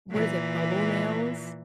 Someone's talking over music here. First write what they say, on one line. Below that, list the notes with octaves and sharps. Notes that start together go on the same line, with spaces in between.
what is it? Bubble nails?
A#2 E3